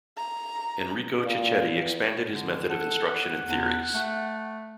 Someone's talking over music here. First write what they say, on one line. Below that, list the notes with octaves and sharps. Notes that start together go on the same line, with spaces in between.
Enrico Cecchetti expanded his method of instruction and theories.
A#5
A#2
E2
D3
A4 F#5
E2
A3